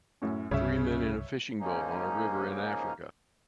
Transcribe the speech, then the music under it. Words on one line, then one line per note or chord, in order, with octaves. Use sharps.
Three men in a fishing boat on a river in Africa.
F#2 A2 C#4
C2 G2 C#3 C#5 E5
G#2 C#3 F3 A#3 C#4 D#4